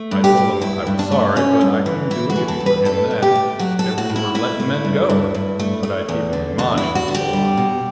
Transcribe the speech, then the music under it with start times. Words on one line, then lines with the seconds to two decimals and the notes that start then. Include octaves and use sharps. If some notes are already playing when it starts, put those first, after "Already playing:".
I told him I was sorry, but I couldn't do anything for him then; that we were letting men go, but I'd keep him in mind, and so on.
Already playing: A3
0.11 G2
0.24 G4
0.37 G2
0.61 G2 E4
0.87 G2
0.99 D4
1.11 A3
1.36 A3 C#4
1.61 G2
1.86 E3
2.10 A3 E4
2.30 F#4
2.36 E3
2.48 A4
2.60 G2
2.66 B4
2.85 A3 A4
3.11 A2
3.22 G4
3.35 A3
3.59 F#3 F#4
3.79 A4
3.84 A2
3.98 F#4
4.09 A2
4.16 E4
4.35 A3 E4
4.60 A3
4.85 G2
5.09 G2
5.34 G2
5.59 A3
5.83 A3
6.08 E2
6.33 D3
6.58 E2 D4
6.77 E4
6.84 E2
6.95 F#4
7.08 D3
7.14 G4
7.33 G3
7.57 B2